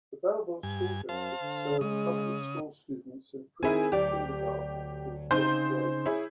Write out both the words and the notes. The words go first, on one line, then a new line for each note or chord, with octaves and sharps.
The Belleville School District serves public school students in pre-kindergarten through twelfth grade.
G2 G#5
F#2 C5 F5 A5
D3
C#3 G#3 D#6
D#3 C4 E4 G#4 A#4 G#5
D2 F#3 G4 D5
C#3 C4 D#4 C5 C6 G6
E4 G#4 C#5